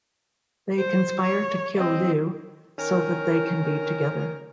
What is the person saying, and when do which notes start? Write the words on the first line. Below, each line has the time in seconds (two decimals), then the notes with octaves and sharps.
They conspire to kill Lleu so that they can be together.
0.78 C5
1.22 C#5
1.77 C4 D#5
2.78 D#3 C#4 A#4